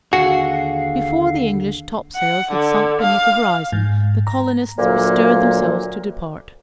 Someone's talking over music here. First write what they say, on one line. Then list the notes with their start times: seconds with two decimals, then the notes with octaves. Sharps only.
Before the English top-sails had sunk beneath the horizon, the colonists bestirred themselves to depart.
0.13 D#2 D3 F#4 G#4 F5 F#5
2.16 F#5
2.51 D3
3.01 F5
3.72 G#2
4.27 A#5
4.77 D2 A#2 F#3 A#3